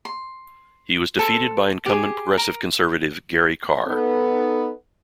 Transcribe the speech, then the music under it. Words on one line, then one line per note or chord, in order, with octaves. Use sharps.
He was defeated by incumbent Progressive Conservative Gary Carr.
C6
A4 C5
G4 G#4
A#4
B3 D#4 A4